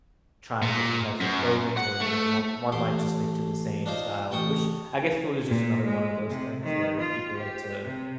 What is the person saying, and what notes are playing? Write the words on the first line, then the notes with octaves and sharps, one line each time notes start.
trying different types of clothing where, you know, one one might just stick to the same style, which I guess food is just another one of those things where people like to
A#2
F#2
F#5
A3
A1 A3 C6 D6
D4 D#4 F4 C5
A1 G5 A5 C#6 D#6
A#2
G#3
C3
D#3
F4
G4
C3